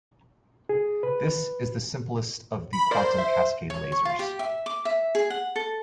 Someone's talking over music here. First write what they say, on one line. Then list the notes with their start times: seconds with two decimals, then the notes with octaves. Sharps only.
This is the simplest of the quantum cascade lasers.
0.69 G#4
1.03 B4
2.73 B5
2.91 A#4 C5 D5
3.18 E5
3.70 C#5
3.92 C#6
4.05 F4
4.19 G4
4.39 E5
4.66 D6
4.85 E5
5.15 G#4
5.30 F#5
5.56 A4